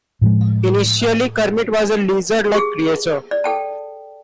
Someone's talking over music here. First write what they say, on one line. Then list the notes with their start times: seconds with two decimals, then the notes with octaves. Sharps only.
Initially, Kermit was a lizard-like creature.
0.21 A2 F3 G#3
2.54 G4 G#4
3.31 D5
3.44 A4 G5 A5